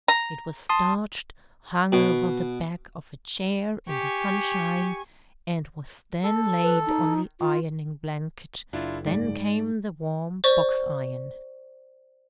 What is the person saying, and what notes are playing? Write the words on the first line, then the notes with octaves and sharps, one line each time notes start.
It was starched, hung over the back of a chair in the sunshine, and was then laid on the ironing-blanket; then came the warm box-iron.
A#5
A5 C6 D#6
B2
G4 G#5 C#6
A4
B4
D#4
F4
F#1 D4 E4 F4
G#2 D5
C5 D5 C#6